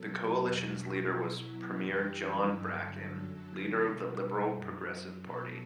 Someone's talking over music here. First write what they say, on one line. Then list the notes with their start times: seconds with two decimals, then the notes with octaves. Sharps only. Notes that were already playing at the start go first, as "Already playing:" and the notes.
The coalition's leader was Premier John Bracken, leader of the Liberal-Progressive Party.
Already playing: B2 F#3 A4
0.09 G4
0.43 E2 B2 F#3 F#4
0.77 F#4
1.12 B2 F#3 E4
1.80 F#2 E3 G3 G4
2.48 G2 D3 F#3 A4
3.16 F#2 D3 F#3
3.85 B2 G3
4.54 F#2 F#3
5.22 B2 F#3 A4